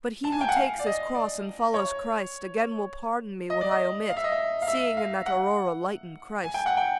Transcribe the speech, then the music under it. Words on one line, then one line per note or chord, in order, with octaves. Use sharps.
But he who takes his cross and follows Christ Again will pardon me what I omit, Seeing in that aurora lighten Christ.
A5
G#5
G5
F#5
F5
D5
D#5
D5
C#5
D#5
D5
D#5
F5
E5
D#5
E5
F5
E5
F5
F#5
G#5
G5
F#5
G5